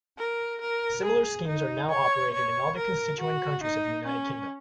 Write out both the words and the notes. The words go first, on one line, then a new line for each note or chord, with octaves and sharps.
Similar schemes are now operated in all the constituent countries of the United Kingdom.
A#4
A#4
G#4
D#4
C#5
C#5
A#4
F#4
D#4
C#4